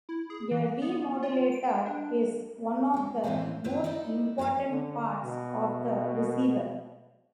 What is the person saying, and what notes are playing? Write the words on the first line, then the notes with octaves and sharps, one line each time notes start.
A demodulator is one of the most important parts of the receiver.
E4
G#4
E3
B3
F4
D7
D4
G#3 F4
A2 E3 F3 A#3 C4 C#4
G2 B2 D#3 C4 C#4 F4
D#4 E4 D5 D#5
F#4 C#5 D5 F5 A#5
D3
B2